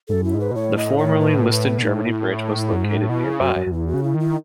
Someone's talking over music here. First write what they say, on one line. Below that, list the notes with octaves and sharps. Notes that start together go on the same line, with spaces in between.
The formerly listed Germany Bridge was located nearby.
F#2 G#2 A4
E4
G#2
B4
B2
A2 C#5
D#5
C#5
B4
B4
B2
A2 D#4
E4
E4
E4
F#2
G#2 D#4
A2
B2 E4
C#3
F#2 F#4
F#2
F#2
E2 E4
F#4
C#3
E4
D#3
E4